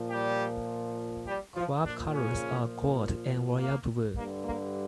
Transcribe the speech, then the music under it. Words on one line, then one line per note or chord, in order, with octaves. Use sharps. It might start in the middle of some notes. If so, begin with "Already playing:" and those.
Club colours are gold and royal blue.
Already playing: A#2 F3
G3 G4
G3 G4
F3 F4
A#2 D3 F3 D4
C#3 C#4
A#3
G2 D3 G3 A#3
A#3